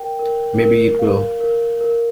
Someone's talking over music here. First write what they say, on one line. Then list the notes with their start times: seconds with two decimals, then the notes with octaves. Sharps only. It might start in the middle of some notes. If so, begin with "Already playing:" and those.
Maybe it will.
Already playing: A#4 G5
0.19 A#4
0.59 A#4
0.99 F5
1.40 A#4
1.81 A#4